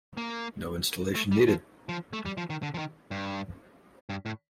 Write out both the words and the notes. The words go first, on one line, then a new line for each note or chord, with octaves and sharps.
No installation needed.
A#3
A3
G3
F3
F3
A3
G3
F3
D#3
D3
F3
D#3
G2
G2
A2